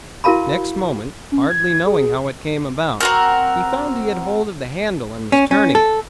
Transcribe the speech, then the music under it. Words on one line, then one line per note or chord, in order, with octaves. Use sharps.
Next moment, hardly knowing how it came about, he found he had hold of the handle and was turning it.
E4 F#4 A#4 F5 A5 B5
C#4
G#6
G#4
C4 F#4 A#4
C#4
C#4
A4